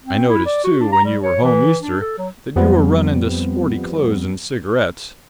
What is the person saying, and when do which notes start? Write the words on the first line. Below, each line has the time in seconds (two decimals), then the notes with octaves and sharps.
I noticed, too, when you were home Easter, that you were running to sporty clothes and cigarettes.
0.04 C4
0.29 E4
0.46 D5
0.64 F#4
0.80 D4
0.92 A#5
1.05 G3
1.23 C#5
1.42 E3
1.82 D4
2.01 A4
2.18 F#3
2.56 F2 F3 G3 B3 C4